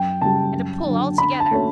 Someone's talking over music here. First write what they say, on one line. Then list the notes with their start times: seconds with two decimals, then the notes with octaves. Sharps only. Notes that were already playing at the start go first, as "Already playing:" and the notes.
And a pull all together.
Already playing: F#2 G5
0.21 C#3 G3 A5
0.54 F#2
0.86 D3 F#3
1.18 D3 B5
1.40 A5
1.51 A3 C#4 F#4 C#5